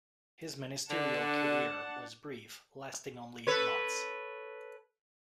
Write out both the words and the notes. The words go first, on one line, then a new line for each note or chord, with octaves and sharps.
His ministerial career was brief, lasting only eight months.
D3 D4 F#5 A5
A4 B4 C#5